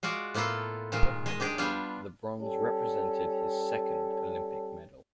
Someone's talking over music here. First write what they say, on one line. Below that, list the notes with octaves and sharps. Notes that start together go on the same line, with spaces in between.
For Hagman, the bronze represented his second Olympic medal.
G#3 F4 F#4 D5
A2 A#3 B3 F4 A4
A#2 D#3 G#3 F4
G#3 D#5
D4 G4 G#4 D5
G3 B3 D4 F4
G3 C#4 A4